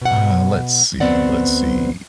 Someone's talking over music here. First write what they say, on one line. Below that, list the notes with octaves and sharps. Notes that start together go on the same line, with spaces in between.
Uh, let's see, let's see.
B2 F#5
D2 F3 B3 C4 D5 F#5